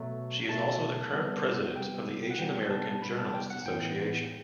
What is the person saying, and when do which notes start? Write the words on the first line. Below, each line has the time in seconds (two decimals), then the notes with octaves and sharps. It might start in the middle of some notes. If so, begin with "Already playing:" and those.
She is also the current president of the Asian American Journalists Association.
Already playing: B2 F#3 A3
0.48 B2 F#3 A3 A5
1.12 C3 G3 B3
1.75 C3 G3 B3 G5
2.31 F#5
2.39 C3 G3 B3 G5
2.70 A5
3.02 C3 G3 B3 B5
3.18 A5
3.34 G5
3.50 F#5
3.66 A2 E3 B3 G5